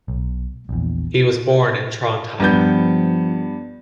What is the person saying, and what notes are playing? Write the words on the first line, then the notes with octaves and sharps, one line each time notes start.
He was born in Trondheim.
B1
A#1 E2
G2 F3 B3 G6